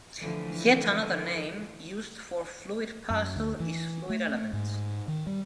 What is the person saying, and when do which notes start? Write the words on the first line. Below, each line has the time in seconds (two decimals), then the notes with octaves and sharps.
Yet another name used for fluid parcel is fluid element.
0.19 D3 E3 F3 A3
3.10 F#2
3.36 D2
3.60 E3
4.10 A3
4.53 G#2
5.08 D#3
5.27 G3